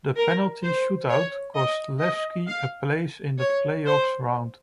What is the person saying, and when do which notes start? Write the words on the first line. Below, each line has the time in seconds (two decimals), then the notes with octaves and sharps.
The penalty shoot-out cost Levski a place in the Play-off round.
0.17 A#4
0.63 C5
1.09 C#5
1.55 D#5
2.01 D#5
2.47 F5
3.40 C#5
3.86 C5